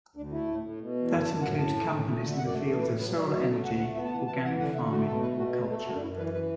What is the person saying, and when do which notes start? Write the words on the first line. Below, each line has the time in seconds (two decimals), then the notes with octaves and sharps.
That includes companies in the fields of solar energy, organic farming or culture.
0.15 D2 D4
0.31 A3 E4
0.48 A2
0.63 A2
0.79 B2
0.95 E2
1.11 F#2 A4
1.26 F#2 A5
1.42 A2 F#5
1.58 A2 A5
1.74 A3
1.90 A2
2.07 A3
2.22 D3
2.32 E5
2.37 F#2 F#5
2.46 D5
2.53 A3 E5
2.69 E3 A4
2.80 B4
2.85 A2 A4
3.00 F#3 B4
3.17 F#3 D5
3.32 B2 E5
3.48 A3
3.64 D2 F#5
3.80 A3 F#5
3.95 B3 E5
4.05 A5
4.11 E3 F#5
4.27 E3 A5
4.44 E3 F#5
4.59 D3 F#5
4.75 D3 E5
4.90 A3 F#4
5.06 B2 A4
5.22 A3 B4
5.38 B2 F#4
5.53 A3 F#4
5.69 A3 A4
5.80 A4
5.86 F#2 F#4
5.95 D4
6.01 F#2 E4
6.17 E3 B4
6.34 E3 B4